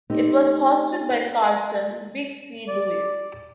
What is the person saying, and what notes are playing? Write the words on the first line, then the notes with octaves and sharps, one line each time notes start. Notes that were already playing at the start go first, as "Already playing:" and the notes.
It was hosted by Carlton "Big C" Lewis.
A3 C4 D#4 G4
D5